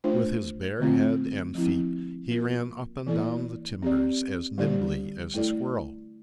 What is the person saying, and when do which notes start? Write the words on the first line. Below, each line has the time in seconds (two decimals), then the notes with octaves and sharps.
With his bare head and feet he ran up and down the timbers as nimbly as a squirrel.
0.04 A3 D4 F4 C5
0.79 D3 A3 C4 F4
1.55 F3 C4 E4
2.31 A#3 F4 A#4
3.07 E3 A#3 E4 A4 D5
3.82 C4 G4 D5
4.58 D3 G3 D4 G4 D5
5.34 A3 E4 A4 D5